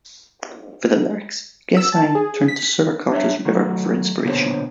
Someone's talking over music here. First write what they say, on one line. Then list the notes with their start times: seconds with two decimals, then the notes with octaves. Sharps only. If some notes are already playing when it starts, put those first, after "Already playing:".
For the lyrics, Gesang turned to Surakarta's river for inspiration.
1.77 E6
1.92 A5
2.15 G#4
2.48 B6
3.12 D4 C#5 E5
3.45 D#3 F#3 A3 F#4
4.24 B1 A#2 D3 B3 C5 C#5